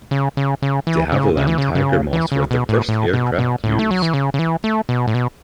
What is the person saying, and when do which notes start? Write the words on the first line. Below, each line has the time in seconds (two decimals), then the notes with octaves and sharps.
De Havilland Tiger Moths were the first aircraft used.
0.11 C#3
0.37 C#3
0.62 C#3
0.87 E3
1.12 C#3
1.37 C#3
1.47 E3
1.58 C#3
1.75 C#3
2.13 E3
2.32 C#3
2.51 B2
2.69 A2
2.88 A2
3.13 B2
3.38 B2
3.64 A2
3.79 A3
3.91 F#3
4.02 E3
4.14 C#3
4.34 C#3
4.39 E3
4.64 A3
4.89 B2
5.07 A2
5.14 B2